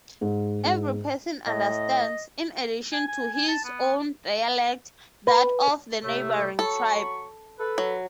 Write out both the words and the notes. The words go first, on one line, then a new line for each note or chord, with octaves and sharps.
Every person understands, in addition to his own dialect, that of the neighboring tribe.
G#2
G#2
A2 D#5
G#5
G#5
G#5
A5
B3
B4
A2 C3 A3
F#3 A4 B5 C#6
A4 B4
F#3